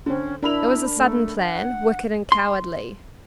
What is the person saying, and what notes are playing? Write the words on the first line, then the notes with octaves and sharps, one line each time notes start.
It was a sudden plan, wicked and cowardly.
D3 C4 C#4
D4 E4 A#4 B5 F7
A3
F#5
C6